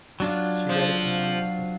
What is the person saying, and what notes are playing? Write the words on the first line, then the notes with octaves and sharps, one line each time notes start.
She read it in one instant.
F#3 D4 F4
F3